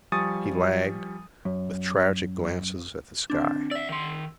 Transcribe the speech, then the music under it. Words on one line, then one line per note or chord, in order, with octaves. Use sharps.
He lagged, with tragic glances at the sky.
F3 G3 G#5 C#6 D#6 A6
F#2
D3 C4 D4
D5 E5 E6
D#3 C6